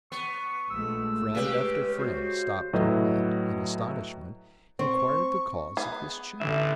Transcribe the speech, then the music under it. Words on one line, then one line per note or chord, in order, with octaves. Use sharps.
Friend after friend stopped him, and, in astonishment, inquired the cause of this change.
B3 C#6
A#1 G#3 A3 E6
C#3 G#3 G4 B4
F#4 C5
A2 F#3 B4 D#5
C4 C#6
B3 G#4
A1 D3 E5